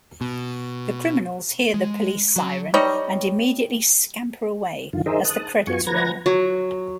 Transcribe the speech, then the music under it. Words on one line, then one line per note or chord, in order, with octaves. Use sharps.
The criminals hear the police siren and immediately scamper away as the credits roll.
B2
G#3
F#3
G3 D#4 C#5 D#5
F#2 D3 D#3 F4
D#4 G#4 A#4 C5 D#5 E5
A5 D#6 F#6
F#2 B3 F4 F#4 G#5 C#6
F3 B4 F#5 A#5 G#6 A#6
F#3